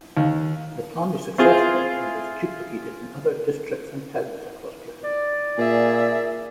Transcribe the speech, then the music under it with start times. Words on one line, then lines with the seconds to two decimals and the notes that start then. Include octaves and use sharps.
The plan was successful and was duplicated in other districts and towns across Britain.
0.17 D#2
1.38 C4 E4 F4 G#4
5.04 D5
5.58 A#2 G#4 E5